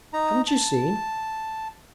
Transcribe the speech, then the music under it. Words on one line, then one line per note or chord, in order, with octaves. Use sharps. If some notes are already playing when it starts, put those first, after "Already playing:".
'Haven't you seen?
D#4 A#5
A5